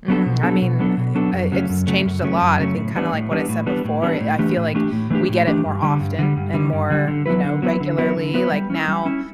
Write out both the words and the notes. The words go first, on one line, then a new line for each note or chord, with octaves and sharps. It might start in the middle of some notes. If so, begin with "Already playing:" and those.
Mm, I mean, uh, uh, it's changed a lot, I think kinda like what I said before, eh, I feel like we get it more often and more, you know, regularly. Like now,
F#3 B3 D4 A4
B2
F#3 B3 D4 A4
B2
F#3 B3 D4 A4
B2
F#3 B3 D4 A4
F#2
C#3 F#3 A3 C#4
F#2
C#3 F#3 A3 C#4
F#2
C#3 F#3 A3 C#4
F#2
C#3 F#3 A3 C#4
A2
E3 G3 B3 D4
A2
E3 G3 B3 D4
A2
E3 G3 B3 D4
A2
E3 G3 B3 D4
A2
E3 A3 D4 G4
A2
E3 A3 D4 G4
A2
E3 A3 D4 G4
A2
E3 A3 D4 G4
G2
D3 G3
G2
D3 G3
G2
D3 G3
G2
D3 G3
D3
F#3 B3 E4 B4
D3
F#3 B3 E4 B4
D3
F#3 B3 E4 B4
D3
F#3 B3 E4 B4
G3
C#4 E4
G3
C#4 E4